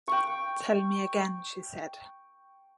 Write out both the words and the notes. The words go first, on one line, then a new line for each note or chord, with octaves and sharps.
"Tell me again," she said.
G5 C#6